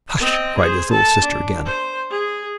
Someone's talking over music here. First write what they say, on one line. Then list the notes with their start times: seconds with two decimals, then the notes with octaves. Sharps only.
"Hush!" cried his little sister again.
0.19 C4 D#5
0.58 G#4 C5
0.91 A4 A5
1.22 D4
1.65 C5
2.11 G#4